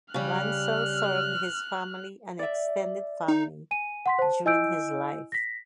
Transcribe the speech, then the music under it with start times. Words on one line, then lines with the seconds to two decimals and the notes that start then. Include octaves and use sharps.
Bansal served his family and extended family during his life.
0.14 C#3 G3 F6 F#6
2.39 D5 E5
3.28 D#4
3.71 G#5 D#7
4.06 F#5 C6 B6
4.19 C5 A5
4.45 E4 D#5 G#5 E6 G6 D7
5.32 A#6 B6